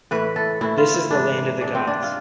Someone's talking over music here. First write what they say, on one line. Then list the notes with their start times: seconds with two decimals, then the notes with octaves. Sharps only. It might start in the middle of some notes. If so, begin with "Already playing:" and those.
This is the land of the gods.
0.11 A2 E3 B4
0.36 A4
0.61 A2 E3 E4
0.78 F4
0.94 E4
1.10 G#2 E3 D4
1.61 G#2 E3 D4
1.75 C4
1.87 D4
2.02 F4